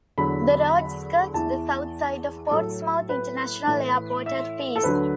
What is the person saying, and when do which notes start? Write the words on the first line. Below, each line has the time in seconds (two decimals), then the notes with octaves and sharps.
The road skirts the south side of Portsmouth International Airport at Pease.
0.18 E2 D3 F#3 B5
1.34 E2 E3 A5
2.51 A2 F#3 A4
3.09 B4
3.67 A2 E3
4.26 E5
4.76 A4
4.84 D2 D3 F#3 B4